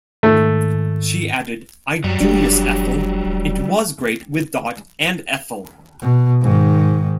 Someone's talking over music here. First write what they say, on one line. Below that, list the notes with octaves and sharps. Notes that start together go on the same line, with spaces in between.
She added, I do miss Ethel, it was great with Dot and Ethel.
G#2 D#3 A3
F#2 F#3 G3
F1 D4 G4
D#1
B2
G#2 D#3